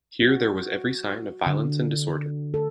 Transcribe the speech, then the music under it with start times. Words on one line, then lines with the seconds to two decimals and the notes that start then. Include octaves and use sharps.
Here there was every sign of violence and disorder.
0.22 F#4
1.46 D3
2.54 A4